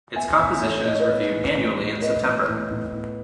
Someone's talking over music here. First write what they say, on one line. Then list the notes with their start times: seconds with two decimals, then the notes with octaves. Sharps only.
Its composition is reviewed annually in September.
0.15 B3 E5 G#5
0.39 E3 E5 G#5
0.62 A2 A4 C#5
0.85 A2 D#5
0.92 C#5
1.00 B4 D#5
1.09 B3
1.32 E3
1.55 A2
1.78 A2
2.01 B3 B4 D#5
2.24 E3
2.48 A2
2.71 A2
2.94 B3